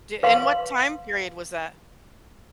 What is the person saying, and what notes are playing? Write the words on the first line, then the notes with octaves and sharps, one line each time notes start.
T in what time period was that?
B4 F5 C6